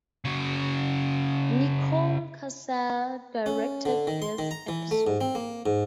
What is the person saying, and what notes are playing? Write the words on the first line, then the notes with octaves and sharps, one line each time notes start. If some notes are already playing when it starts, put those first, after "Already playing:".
Nicole Kassell directed this episode.
C#3 F#4
C#4
D3
D#3
C6
D#3
A#5
E3
A3
G#2
C4
A#3
G#2